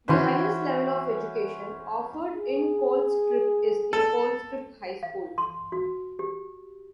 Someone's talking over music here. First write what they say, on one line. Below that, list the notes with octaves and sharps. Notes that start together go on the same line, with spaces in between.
The highest level of education offered in Colstrip is the Colstrip High School.
E3 C#4 F#4 B4 C5
G#4
A4
F5
C6
F#4
G4